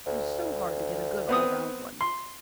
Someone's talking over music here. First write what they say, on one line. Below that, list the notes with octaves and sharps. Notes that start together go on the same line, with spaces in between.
It is so hard to get a good all-round one.
D2
B3 C4 D#6
C6